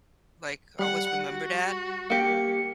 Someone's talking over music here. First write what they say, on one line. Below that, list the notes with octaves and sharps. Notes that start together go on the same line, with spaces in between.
like, always remember that
G3 F#5
F#4
A#3 G4 C#7